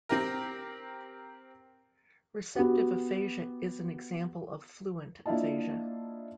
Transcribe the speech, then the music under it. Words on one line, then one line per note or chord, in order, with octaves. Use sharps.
Receptive aphasia is an example of fluent aphasia.
C4 G4 A#4
B3 F#4 G4
A#3 D4 E4 F4 D#5 A5